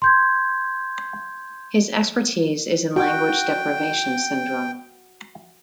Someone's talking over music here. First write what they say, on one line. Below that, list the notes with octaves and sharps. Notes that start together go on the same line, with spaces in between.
His expertise is in language deprivation syndrome.
C6 G6 G#6
F#4 G5